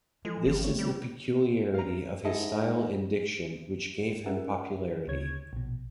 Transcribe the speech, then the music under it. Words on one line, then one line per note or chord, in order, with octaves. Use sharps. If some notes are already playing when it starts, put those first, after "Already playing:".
This is the peculiarity of his style and diction which gave him popularity.
E3 F3 G#3 A4
G1
A3 C4 C#5
G3
F5 A#5
G#2 E4 A4 D#5
C#4 F4 G#4 A#4 E5 F#5
D2 C#3 C#5 G#6
A#1 B2